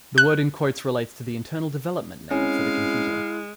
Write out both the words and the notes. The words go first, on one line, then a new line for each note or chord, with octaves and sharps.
The word in quotes relates to the internal development name for the computer.
F#6
G#3 C4 C#4 E4 F5